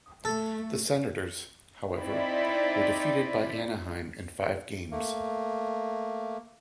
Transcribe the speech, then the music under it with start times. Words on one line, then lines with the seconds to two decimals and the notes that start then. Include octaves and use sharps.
The Senators, however, were defeated by Anaheim in five games.
0.25 A3 A4
1.97 C4 D#4 E4 D5 B5
4.91 A3 A#3